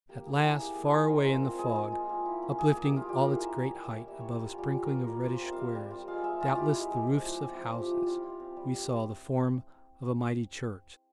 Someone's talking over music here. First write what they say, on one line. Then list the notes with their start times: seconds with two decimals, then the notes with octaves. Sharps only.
At last, far away in the fog, uplifting all its great height above a sprinkling of reddish squares, doubtless the roofs of houses, we saw the form of a mighty church.
0.09 A#3 G4
0.26 A#3 G#4
0.43 E4 G#4
0.59 E4 G4
0.75 A#3 G#4
0.93 A#3 A#4
1.09 G#3 C5
1.26 F4
1.43 C4
1.59 G#3 G#4
1.75 G#3
1.92 F4
2.09 A#3
2.25 E4
2.42 C#4
2.59 A#3 G#4
2.72 A#3 G#4
2.84 G4
2.92 E4 F4
3.09 G3 G4
3.21 E4 G#4 A#4
3.41 C#4 E5
3.58 G3 C#5
3.75 G3
3.83 E5
3.92 E4
4.08 G3 E5
4.21 F4 C#5
4.34 G4
4.41 C#4 F4
4.58 G3 G4
4.75 G3
4.83 A#4
4.91 F4
5.08 G3
5.20 F4 A#4
5.33 C5
5.41 C4 E5
5.52 F5
5.58 G3 E5
5.75 G3
5.90 F4
6.08 G#3 F5
6.24 G#3 E5
6.40 E4 F4
6.57 E4 G4
6.74 G#3
6.91 G#3
7.07 F3
7.24 E4
7.40 C4
7.57 F3 F4
7.74 F3
7.82 G4
7.91 E4
8.07 G3 F4
8.23 F4
8.40 C4
8.57 G3
8.74 G3
8.82 G4